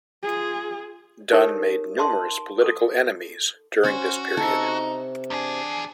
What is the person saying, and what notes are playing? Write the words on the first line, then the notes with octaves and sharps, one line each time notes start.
Dunn made numerous political enemies during this period.
F4 G#4
D#4 G4 A4 A#4 C#5
E5 A5 C6
A4 D6
C#4 F#4 C5
C3 D#4 A4
E2 D4 G#4